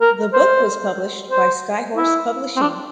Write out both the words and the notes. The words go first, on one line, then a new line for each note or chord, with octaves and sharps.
The book was published by Skyhorse Publishing.
A#4
C5
C5
E4
C4
D4